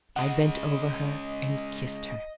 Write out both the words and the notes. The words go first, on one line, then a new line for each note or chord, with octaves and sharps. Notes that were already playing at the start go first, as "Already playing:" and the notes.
I bent over her and kissed her.
C#3 G#3 D#5 F#5